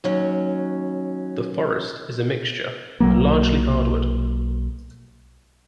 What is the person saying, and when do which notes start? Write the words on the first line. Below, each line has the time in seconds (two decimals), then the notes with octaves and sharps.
The forest is a mixture, but largely hardwood.
0.04 D#2 F#3 C#4
3.00 B1 F#3 A#3